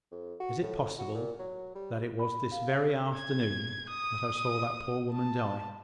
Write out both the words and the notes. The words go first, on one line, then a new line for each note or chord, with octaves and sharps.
"Is it possible that it was this very afternoon that I saw that poor woman die?"
F2
F#4
A2
F#4
A#2
F#3
G3
B5
F5
G#6
D#6
A5